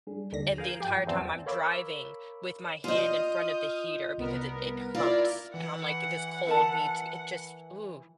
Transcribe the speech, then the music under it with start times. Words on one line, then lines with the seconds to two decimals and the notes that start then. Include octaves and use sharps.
and the entire time I'm driving with my hand in front of the heater because it it hurts. And I'm like, "This cold needs" It just Ooh,
0.07 G3 D4 G#4
0.32 D#2 D3 A#6
0.58 G#4 A#4 F5 G6
0.80 G2 F3 G4 G5
1.07 E2 C4 A5
1.46 A#4 C#5 F5 B5 D6 E6
2.84 F4 D#5 D#6 F6 G6
4.17 C2 B3 A#4
4.95 E4 F4 A#4 D5
5.54 E3 F#5
6.47 E4 A#4 A5